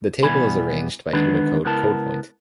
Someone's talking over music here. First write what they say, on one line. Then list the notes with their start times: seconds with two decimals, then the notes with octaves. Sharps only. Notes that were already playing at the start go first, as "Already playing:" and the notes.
The table is arranged by Unicode code point.
0.22 B2 E3 G3 B3 G#5 B5
1.13 D3 D#3 G#3 B3 D4 B4
1.65 C#2 B3 E4 A#4 A5